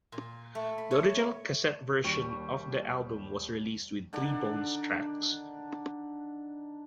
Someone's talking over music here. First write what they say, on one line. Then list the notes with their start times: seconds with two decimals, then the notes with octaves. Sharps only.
The original cassette version of the album was released with three bonus tracks.
0.12 A#2
0.55 A3
0.78 B5
0.91 C#5
2.04 D#2 G3 C#6
4.13 D3 D#3 D4 D5